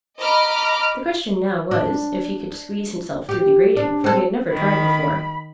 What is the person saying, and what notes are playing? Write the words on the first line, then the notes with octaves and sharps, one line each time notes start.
The question now was, if he could squeeze himself through the grating, for he had never tried before.
D#5 A#5 B5 D6 F6
D4
G4
D4
C4 A4
D#3 B5